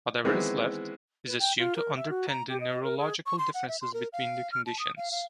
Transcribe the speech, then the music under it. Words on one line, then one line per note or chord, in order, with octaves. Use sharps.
Whatever is left is assumed to underpin the neurological differences between the conditions.
D#3 E3 G#3 B3 C4 E4
B4
G5
F4
A#4
E5
F#4
A#5
G4
D#5
A#4
G#4
C#6
C6
F#5
E5
C6
A#4
F5
F6
A5
D#6
F5
F5